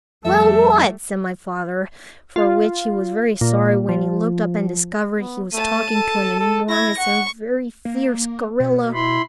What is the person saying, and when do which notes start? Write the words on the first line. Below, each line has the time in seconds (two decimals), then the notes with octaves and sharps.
"Well what?" said my father, for which he was very sorry when he looked up and discovered he was talking to an enormous and very fierce gorilla.
0.25 F2 G3 A3 A4 E5
2.36 F4
3.41 A#2
3.89 F3
5.20 B3
5.53 A3 A5 D#7
5.94 A4
6.39 A4
6.69 E4 G#6 A#6
6.98 F#5 C#6
7.85 A#3
8.60 B2
8.94 E4 B5 C6